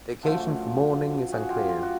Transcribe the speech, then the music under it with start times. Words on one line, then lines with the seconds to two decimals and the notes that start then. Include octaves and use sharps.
The occasion for mourning is unclear.
0.23 F#2 D3 F3 A3
1.32 F#4 G#4
1.50 F4 G4
1.69 F4 G4
1.82 F#4